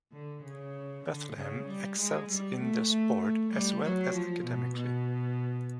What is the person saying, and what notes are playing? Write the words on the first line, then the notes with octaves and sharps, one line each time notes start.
Bethlehem excels in their sport as well as academically.
D3
C#3
D3
C#3
G3
G#3
G3
A3
A3
A3
G3
F#3
F3
B2
B2